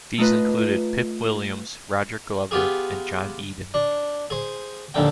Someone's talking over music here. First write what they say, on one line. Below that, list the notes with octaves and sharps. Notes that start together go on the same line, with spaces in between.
These included Pip Williams, Roger Glover, and John Eden.
A3 D#4 F4 B4
B3 F4 G4 G#4
D4
G#4 C5
A#1 D#2 D3 G5